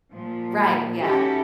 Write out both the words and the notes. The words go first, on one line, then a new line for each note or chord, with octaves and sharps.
Right, yeah.
A#2 F3
C#4 D#4 E4 F#4 G4 A4